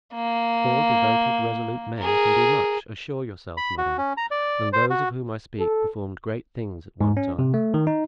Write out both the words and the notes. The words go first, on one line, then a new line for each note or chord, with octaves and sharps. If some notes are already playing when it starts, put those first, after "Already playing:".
"Four devoted, resolute men can do much, assure yourself, madame; and those of whom I speak performed great things at one time."
A#3
G#4 A#4
B5
F#4
C#4
A#5
D5
C5
F#4
A4
G#2
C#4
C3
A3
D#3
D#4